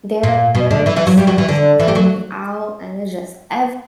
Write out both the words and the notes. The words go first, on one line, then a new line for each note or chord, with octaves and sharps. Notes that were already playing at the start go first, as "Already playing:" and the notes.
their fur just starts coming out and it's just everywhere
A#2 A#3
B2 B3
D3 D4
E3 E4
E3 E4
F#3 F#4
G3 G4
F#3 F#4
E3 E4
D3 D4
E3 E4
G4
F#3 F#4